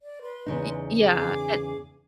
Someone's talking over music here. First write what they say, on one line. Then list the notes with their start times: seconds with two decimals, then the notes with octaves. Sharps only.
It yeah, and
0.02 D5
0.22 B4 C6
0.46 E2 C#3 D#4
1.00 G#4 D6